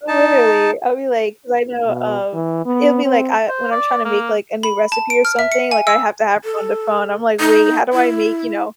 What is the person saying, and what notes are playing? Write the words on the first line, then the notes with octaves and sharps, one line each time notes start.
Literally. I'll be like 'cause I know, um, it'll be, like, I when I'm trying to make, like, a new recipe or something, like, I have to have her on the phone, I'm like, "Wait, how do I make, you know,
D#4 A5
B2
E3
B3
C4
C5
D5
A#3
B5
A5
D7
F6
E5
C#7
G#5
E6
A4
D#4
E4